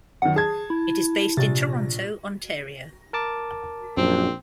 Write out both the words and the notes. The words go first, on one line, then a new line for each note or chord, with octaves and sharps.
It is based in Toronto, Ontario.
F#2 D#3 F#5
G#4 A5 G#6
E4
A#1 C3 A6
A#4 A5 D6
A#1 F#2 C4